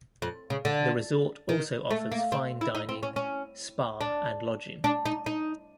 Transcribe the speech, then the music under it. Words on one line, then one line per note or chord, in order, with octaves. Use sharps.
The resort also offers fine dining, spa, and lodging.
F2
C#3
D3
D#3
A3
A#3
C4
E4
D#4
C4
C#4
C#4
D4
D4
D#4
D#4